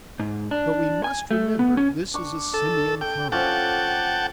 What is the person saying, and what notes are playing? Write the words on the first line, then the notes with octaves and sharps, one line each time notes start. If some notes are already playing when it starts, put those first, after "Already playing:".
But we must remember this is a simian comment.
G#2
D4
G#5
A3
B3
C#4
D4 C#6
A4
A4 G5
F3 C#4 D5 F#5 G5 A5